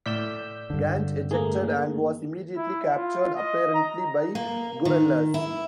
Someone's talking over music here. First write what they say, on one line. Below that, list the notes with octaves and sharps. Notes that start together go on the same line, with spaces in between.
Gant ejected and was immediately captured, apparently by guerrillas.
A2 D5 E6 F6 G6 B6
G2 D3
A3 A#3 G#4
E4
F4
D#5
A#5
A#3
D#3
E4